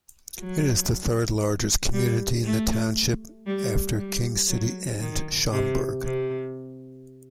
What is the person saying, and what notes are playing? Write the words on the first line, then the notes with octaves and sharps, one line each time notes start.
It is the third-largest community in the township, after King City and Schomberg.
F#3
G3
A3
G3
G3
F#3
D#3
C3
C3